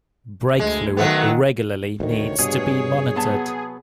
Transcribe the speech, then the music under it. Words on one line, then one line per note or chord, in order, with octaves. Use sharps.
Brake fluid regularly needs to be monitored.
D2 G#3
D#3 F#3 A3 B3 F#5
D2 C3 D#3 C#5
G2 B2 G#4
F#3 B3 A5